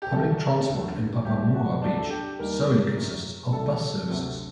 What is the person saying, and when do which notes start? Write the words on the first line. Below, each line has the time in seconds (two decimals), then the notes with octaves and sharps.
Public transport in Papamoa Beach solely consists of bus services.
0.02 G4
0.12 C2 C3 F#3 A4
0.69 D2 D3 F#3
1.25 C2 A#2 G3 G4
1.54 F#4
1.82 D2 D3 F#3 D4
1.98 A4
2.10 G4
2.39 D#2 D#3 G3 A#4
2.96 F#2 F#3
3.52 C2 C3 G3 A4
4.09 D2 C3 F#3